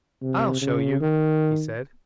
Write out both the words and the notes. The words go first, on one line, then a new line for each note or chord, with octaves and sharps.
"I'll show you," he said.
C3
C#3
D#3